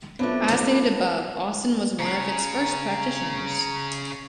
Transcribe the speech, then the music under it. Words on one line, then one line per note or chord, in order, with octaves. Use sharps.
As stated above, Austen was one of its first practitioners.
F#3 A3 B3 D4 F4 C5 C#5
C#3 A#5